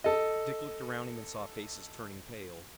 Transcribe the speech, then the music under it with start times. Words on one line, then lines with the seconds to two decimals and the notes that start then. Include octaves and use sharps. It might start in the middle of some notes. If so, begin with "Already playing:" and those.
Dick looked around him and saw faces turning pale.
0.04 A4 D#5